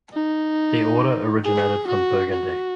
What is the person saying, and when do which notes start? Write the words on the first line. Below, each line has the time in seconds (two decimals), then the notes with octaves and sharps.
The order originated from Burgundy.
0.13 D#4
1.44 G#4
1.87 F#4
2.31 F#4